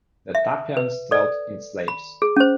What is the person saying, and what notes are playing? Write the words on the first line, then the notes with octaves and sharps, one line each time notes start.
The Taphians dealt in slaves.
E5
B4
A4 D5
B5
G#4
C#4 C5